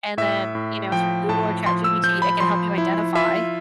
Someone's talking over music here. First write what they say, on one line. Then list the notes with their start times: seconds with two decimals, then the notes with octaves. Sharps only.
and then, you know, through Google or ChatGPT, it can help you identify,
0.18 A2 E5
0.55 A2
0.92 F3 G5
1.29 A2 A5
1.66 F3 C6
1.84 E6
2.03 F3 G6
2.22 B5
2.40 F3 C6
2.78 E4
3.15 F4 E5